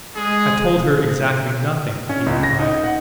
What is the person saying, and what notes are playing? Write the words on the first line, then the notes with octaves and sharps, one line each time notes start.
"I've told her exactly nothing," he replied.
G#3 G#4
C#4
C#2
A#6
D#4
F#5